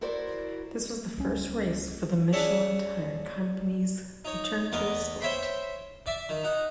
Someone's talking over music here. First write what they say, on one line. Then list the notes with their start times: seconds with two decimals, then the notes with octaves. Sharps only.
This was the first race for the Michelin tyre company's return to the sport.
0.01 E4 F#4 A#4 C5 D5
1.18 C#2 G3 C#4
2.33 C#4 D4 G#4 E5 F#5 A5
4.25 D#4 C#5
4.72 E2 B3 A#4 D#5
5.21 C5 C#5 E5 G5 B5 C6
6.06 D5 E5
6.29 D#3
6.44 D#4 F#5